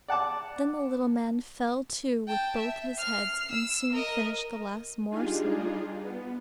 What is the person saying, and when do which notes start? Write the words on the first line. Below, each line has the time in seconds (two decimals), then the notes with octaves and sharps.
Then the little man fell to with both his heads, and soon finished the last morsel.
0.08 D5 F#5 A5 D6
2.27 G5 A5
2.57 E5
2.98 F6 C7
3.51 E6
3.93 A#4 D#5
5.10 G3 D4 D#4 F4 G#4
6.02 B3